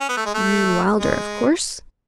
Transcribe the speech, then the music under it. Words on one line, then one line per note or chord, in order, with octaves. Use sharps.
You mean Wylder, of course?'
C#4
B3
A3
G#3
A3
G#3